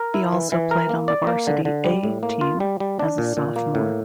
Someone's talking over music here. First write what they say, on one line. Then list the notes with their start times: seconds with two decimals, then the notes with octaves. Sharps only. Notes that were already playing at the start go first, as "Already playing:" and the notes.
He also played on the Varsity "A" team as a sophomore.
Already playing: A#4
0.14 E4
0.32 E3
0.52 E3
0.71 A#4
0.89 A#3
1.08 D5
1.27 A#3
1.47 D3
1.65 D3
1.84 G3
2.04 A2
2.23 A#3
2.41 F4
2.60 G3
2.80 G3
2.99 D4
3.18 A#2
3.37 A#2
3.56 A#3
3.75 A2